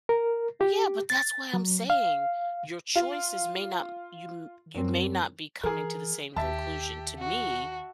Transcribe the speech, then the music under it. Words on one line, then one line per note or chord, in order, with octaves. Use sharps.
Well, yeah, but that's why I'm saying your choices may not you you may not be coming to the same conclusion. To me,
A#4
G4
A6
F#3
F5
F4
F#2 C4
E3 G#4 A#4
D#2 G4 E5 A5
F#4